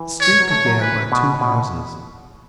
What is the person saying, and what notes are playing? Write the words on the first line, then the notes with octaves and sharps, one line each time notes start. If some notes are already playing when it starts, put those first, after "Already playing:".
The street began by two houses.
Already playing: E3
C#5
F#3
A3 C#5
F#3
E3 B4
C#3
B2
B2